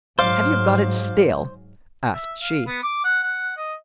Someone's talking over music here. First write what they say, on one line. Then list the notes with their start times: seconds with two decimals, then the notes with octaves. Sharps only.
'Have you got it still?' asked she.
0.19 G#2 F#3 C5 D5 F5
2.13 E5
2.41 F5
2.66 B3
2.83 D6
3.05 F#5
3.23 F#5
3.57 D#5